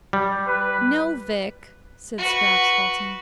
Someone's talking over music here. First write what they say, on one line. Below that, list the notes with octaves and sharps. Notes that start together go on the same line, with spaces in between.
"No, Vic," said Scraps, halting.
G3
B4
F#4 B4